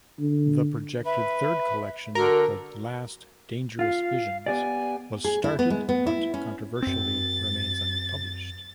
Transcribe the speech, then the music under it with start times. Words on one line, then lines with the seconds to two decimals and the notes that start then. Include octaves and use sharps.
The projected third collection, "The Last Dangerous Visions", was started, but controversially remains unpublished.
0.20 D3
1.05 B4 E5
2.15 D3 F#4 A#4
3.79 F4 F5
4.46 B3 G4 D5 G#5
5.25 G#4
5.44 E4
5.59 B3
5.70 G#3
5.89 B3
6.07 E4
6.34 C#4
6.82 F#2 C4 A6